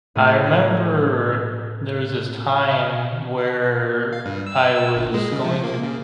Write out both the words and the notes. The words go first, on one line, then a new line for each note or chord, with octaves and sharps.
I remember there was this time where I was going to
A2 A3 G#4 F6
F5
G2
E6
E6
G1
G#3
C#3
F3
A#3
C#3